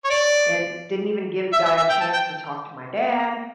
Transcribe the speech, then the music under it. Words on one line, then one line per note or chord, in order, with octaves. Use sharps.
and didn't even give the guy a chance to talk to my dad.
C#5
D5
E5
E5
E5
G5
A5
G5